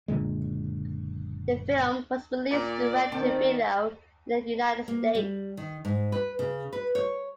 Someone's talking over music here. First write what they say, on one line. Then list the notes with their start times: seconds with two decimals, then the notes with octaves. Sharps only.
The film was released direct-to-video in the United States.
0.08 F#1 A#2 D3 G#3
2.52 A#2 D5
3.12 D#3 C4 A4
4.88 A#3
5.15 G3
5.57 D#3
5.85 G#2
6.12 B4
6.39 C#3
6.73 B4
6.95 C#5